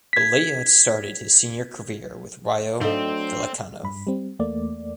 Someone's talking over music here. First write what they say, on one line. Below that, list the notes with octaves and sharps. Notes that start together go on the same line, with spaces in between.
Balea started his senior career with Rayo Vallecano.
G#6 B6
G#2 F#3 A3 C4 D4 A4 D#5 F5
G2 B5
G3 C4
E2 A3 A#3 D5